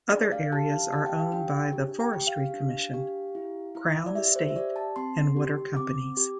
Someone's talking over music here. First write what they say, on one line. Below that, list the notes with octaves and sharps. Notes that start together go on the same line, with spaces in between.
Other areas are owned by the Forestry Commission, Crown Estate and Water Companies.
D4 D5
F5
G4 A5
F5
G4 A5
G5
F5
D4 G5
G4
G5
G4
F5
D4
G4
E4
E4
D5
G4 E5
C5
E5
G4 D5
A5
C4 C6
G4
C4 D6
G4